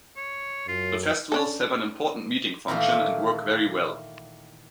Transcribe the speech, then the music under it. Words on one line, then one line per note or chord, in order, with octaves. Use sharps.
The festivals have an important meeting function, and work very well.
C#5
F#2 F4
C#4 D4 A4
A#2 D#3 E3 A3 A#3